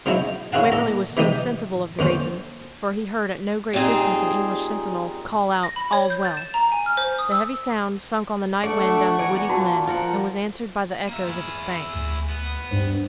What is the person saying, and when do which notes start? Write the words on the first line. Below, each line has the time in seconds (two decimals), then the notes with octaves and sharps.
Waverley was soon sensible of the reason, for he heard at no great distance an English sentinel call out 'All's well.' The heavy sound sunk on the night-wind down the woody glen, and was answered by the echoes of its banks.
0.06 C#3 F#3 C#4 D#4 E4
0.52 C#4 E4 G#4 F5 F#5 A5
0.72 A#2 A4 A#5
1.17 C3 E3 G3 D#4 G4 D#6
1.99 D#2 D3 C#4 C5
3.73 A#2 G3 C4 D#4 G#4
5.63 A#6
5.76 B5
5.93 C#5
6.10 G6
6.25 A6
6.37 E7
6.54 A#5
6.72 G#5
6.86 F6
6.97 C5
7.18 D#6
7.32 E6
8.64 A3 D4 A4 D5 F#5 C#6
9.19 E2 D5 G#5 A#5
9.49 A#2 F#4 A5
9.88 F3 F4 A#4 F#5
11.09 A#3 E5
11.27 E4 G#4
11.95 D2
12.30 B3
12.71 G2 C5